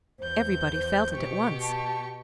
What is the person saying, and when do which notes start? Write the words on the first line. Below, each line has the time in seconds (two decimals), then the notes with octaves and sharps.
Everybody felt it at once.
0.20 E2 C5 G6
0.74 C5
1.14 B2 G4 C#6
1.62 A5